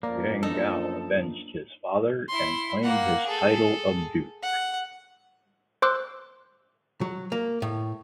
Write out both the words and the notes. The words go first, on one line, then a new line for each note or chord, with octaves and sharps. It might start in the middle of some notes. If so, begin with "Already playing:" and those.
Yang Guo avenged his father and claimed his title of duke.
F#2 F3 A#3 D5
B3 D4 D#4 F4 A4
A#3
E4 C6
A#3 F#5
G#4 A4
F#5
C5 C6 D6 E6 F#6
F#3
A#3
A2